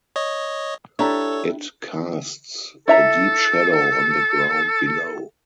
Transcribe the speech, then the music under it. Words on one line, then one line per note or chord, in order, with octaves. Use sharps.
It casts a deep shadow on the ground below.
C#5 D#5
D4 E4 G4 A4 C#5 A#5
E4 A4 E5 A#5